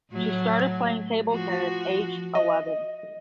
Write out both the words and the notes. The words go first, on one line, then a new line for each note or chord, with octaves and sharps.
She started playing table tennis aged eleven.
A2 F#3 A3
F3 F#4
D#5